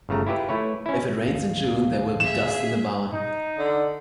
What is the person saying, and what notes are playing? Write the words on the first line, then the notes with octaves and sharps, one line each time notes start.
If it rains in June, there will be dust in the barn.
G1 C#3 A3 A#5
E4 F4 G4 B4 E5
A3 E4 B4 C#5
C#4 E4
D2 G#2 D#3 F5
G#4 E5 E7
D#4
D3